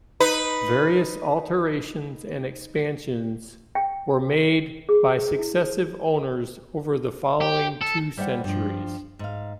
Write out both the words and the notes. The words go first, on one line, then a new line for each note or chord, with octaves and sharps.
Various alterations and expansions were made by successive owners over the following two centuries.
D#4 B4
G5
G#4
E4
G4
A4
G3 C5 C#5 E5 F#5
G2 F3
G#2 F5